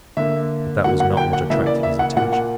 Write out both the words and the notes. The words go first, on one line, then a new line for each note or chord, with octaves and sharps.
But that was not what attracted his attention.
D3 A#3 E5
D3 F#3 A#3 F#5
F#5
G5
F#5
C#3 E3 A#3 E5
D5
E5
F#5
A#2 A#3 F#5
F#5